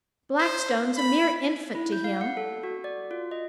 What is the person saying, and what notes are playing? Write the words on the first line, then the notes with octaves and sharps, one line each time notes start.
Blackstone's a mere infant to him.
C5
B5
E4
G6
F5
F#5
A4
F#4
D5
F4
D#5